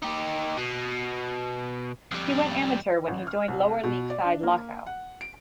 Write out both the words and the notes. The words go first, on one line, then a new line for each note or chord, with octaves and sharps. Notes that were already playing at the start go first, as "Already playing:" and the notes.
He went amateur when he joined lower league side Lochau.
D#4 G4
B2
F2 G3
A1
F6
C2
B2
D5
D4
A#3
F#5
D7